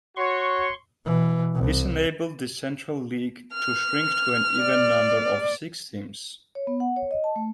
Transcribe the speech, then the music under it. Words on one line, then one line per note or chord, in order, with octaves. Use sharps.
This enabled the Central League to shrink to an even number of six teams.
F#4 C#5 C6 C#6
B2 E3
C2
F6
D5
C#5
B3
F#5
C#5
D#5
A5
A3